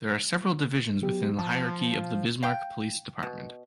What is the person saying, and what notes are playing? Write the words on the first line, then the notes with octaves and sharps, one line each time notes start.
There are several divisions within the hierarchy of the Bismarck Police Department.
F#3 B3 G4
F3 A5
F5 G5
B2